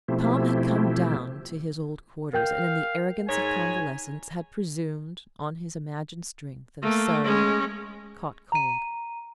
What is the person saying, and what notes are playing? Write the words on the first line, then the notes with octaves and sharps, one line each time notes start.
Tom had come down to his old quarters, and, in the arrogance of convalescence, had presumed on his imagined strength, and so caught cold.
B2 F3 A3 C4 E4 G4
A#4 F5 G5 G6
G#2 C#5 G#5
A3 A#3
G#3 C#4
A#5 D#7